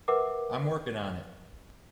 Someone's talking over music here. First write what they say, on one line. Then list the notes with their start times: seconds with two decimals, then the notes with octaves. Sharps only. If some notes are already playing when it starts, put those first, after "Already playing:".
I'm working on it.
0.08 A#4 B4 E5 F#5 D6